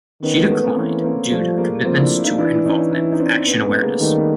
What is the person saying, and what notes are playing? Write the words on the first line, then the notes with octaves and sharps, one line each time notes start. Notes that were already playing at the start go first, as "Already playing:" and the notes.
She declined due to commitments to her involvement with Action Awareness.
D#3 B3 C#4
A3 B3
A3 B3
A#3 C4
E3 B3 C#4
A#3 C4
F3 G3 A3
G#3 A#3
F3 A#3 C4
D4 E4
D#4 F4
E3 D4 E4
C#4 D#4
D4 E4
D#4
C4 D4
B3 C#4
A3 B3
G#3 A#3
D#3 G3 A3
B3